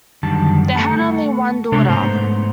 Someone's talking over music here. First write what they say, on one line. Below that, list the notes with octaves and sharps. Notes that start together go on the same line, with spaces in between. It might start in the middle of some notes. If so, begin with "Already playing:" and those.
They had only one daughter.
F#2 D3 D#3 G3 A5
A3 A4 F#5 A5
C3 G#3 D4 A4 C#5
G#2 A3 B3 C5 A#5